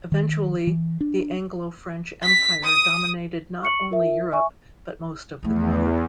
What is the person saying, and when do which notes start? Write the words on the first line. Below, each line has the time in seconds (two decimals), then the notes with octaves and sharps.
Eventually, the Anglo-French Empire dominated not only Europe but most of the globe.
0.12 D#3
0.67 E3
1.01 D4
2.24 B6
2.66 D#6
3.63 C#6 C#7 F#7
3.91 F4 A#4 E5
4.32 E5 G#5 C#6
5.43 E2 F3 A3